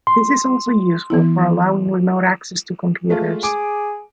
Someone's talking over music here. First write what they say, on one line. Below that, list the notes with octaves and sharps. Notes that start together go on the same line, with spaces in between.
This is also useful for allowing remote access to computers.
C6
E3 B3 E4
G#3 A3 F4
G#4 D6 D7